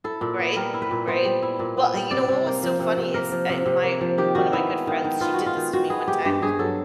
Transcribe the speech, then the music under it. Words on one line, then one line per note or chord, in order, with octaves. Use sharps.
Right. Right. Well, you know what was so funny is, eh, my one of my good friends, she did this to me one time.
E4 A4
A#2
B3
G3 A#4
E4
B4
A#2
B3 C5
G3
E4
A#2
B3
G3
C3 D5
C3
A#3
F3
C3
C3
A#3 A#4
F3
C3
C3
A#3
F3
D#3 G4
D#3 F#4
B3 E4
G#3
D#3
D#3
B3 F4
F#4
G#3
F4
D#3
D#3 F#4
B3 G#4
G#3 G4
G2 G4
G2 G#4
F#3 A4